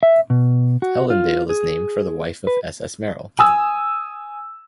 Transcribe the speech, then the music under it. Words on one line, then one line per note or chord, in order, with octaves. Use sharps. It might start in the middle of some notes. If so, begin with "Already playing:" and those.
Ellendale is named for the wife of S. S. Merrill.
E5
B2
F#4
F4
G#4
B4
G#5 D#6 E6